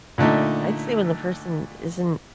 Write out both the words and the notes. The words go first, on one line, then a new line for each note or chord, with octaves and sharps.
I'd say when the person isn't
A#2 D3 A3 D#4